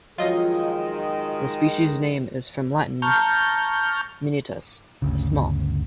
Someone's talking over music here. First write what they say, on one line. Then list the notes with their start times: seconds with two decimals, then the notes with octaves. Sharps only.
The species name is from Latin "minutus", "small".
0.18 D#3 F3 F#3 G#3 C#4 F4 D#5
3.02 A5 A#5 C#6 F6 G6
5.02 G1 D2 C#3